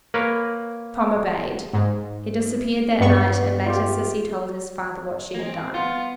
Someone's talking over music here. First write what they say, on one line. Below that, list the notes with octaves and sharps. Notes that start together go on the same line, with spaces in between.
Tom obeyed. He disappeared that night, and later Sissy told his father what she had done.
A#3 A#4 B4 C#5
G#2
G2 B3 C#6
F4 G4
G#3 A#3
C4
B3 F4